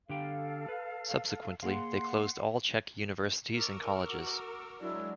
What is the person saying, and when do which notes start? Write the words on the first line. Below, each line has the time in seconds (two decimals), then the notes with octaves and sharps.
Subsequently, they closed all Czech universities and colleges.
0.10 D3 G4 A4 F5 G5
0.68 B4
1.63 A#3 G#4 F5 F#5 C6
3.54 A#4 C#6 D6 E6
4.09 F#4
4.80 F#3 G#3 D4 E4